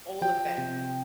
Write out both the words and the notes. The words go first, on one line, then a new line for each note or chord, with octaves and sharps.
all of them
F3 G5
C3